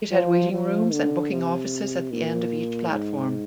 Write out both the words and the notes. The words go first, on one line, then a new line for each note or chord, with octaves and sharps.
It had waiting rooms and booking offices at the end of each platform.
F3
F3
D3
C3
A#2
G#2